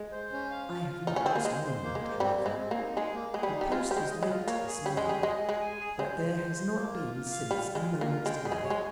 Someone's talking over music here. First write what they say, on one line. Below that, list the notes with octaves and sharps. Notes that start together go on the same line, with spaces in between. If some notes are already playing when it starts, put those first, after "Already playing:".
I have not lost a moment, however. The post was late this morning, but there has not been since a moment's delay.
Already playing: G#3
C5
C#4
F5
F4
F4
D#4 F4
C#4
C4 G#4
A#3
G#3 C5
C5
A#3
G#3
A#3
G3 C4
C4
G#3
C4
A#3
D#4
G#3 G#4
A#3
G#3 G#4
G3
D#4
G3
G#3 F4
G3 C5
G#3
D#5
G#3
F4
A#3 C#5
G#4
G3 C#4
G#3
G3 G#4
G#3 D#5
G#4
G#3
G#5
G#4
G#3 C5
C5
C5
C5
A#3
F4
F4
F5
G3 F4
F4
G#3
F4
A#3
F4
G#3 G5
G3 G#4
G#3
C#5
G#3